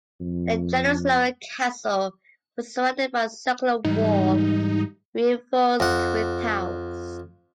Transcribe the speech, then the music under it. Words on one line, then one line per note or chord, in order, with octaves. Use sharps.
The generous lower castle was surrounded by a circular wall reinforced with towers.
F2
G#2 E3 G3 D#4
F2 F#5